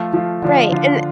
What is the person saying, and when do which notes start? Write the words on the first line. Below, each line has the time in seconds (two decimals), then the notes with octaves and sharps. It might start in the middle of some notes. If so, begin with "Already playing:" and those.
Right, and
Already playing: F3 A3 F4
0.13 F3 A3 F4
0.42 D3 F3 D4 F4
0.72 D3 F3 D4 F4